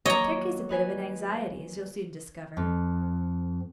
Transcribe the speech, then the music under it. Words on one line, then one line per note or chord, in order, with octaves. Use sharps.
Turkey's a bit of an anxiety, as you'll soon discover.
D#2 F#3 C#5 D#5 A#5 D6
D#4 B4 G#5
F2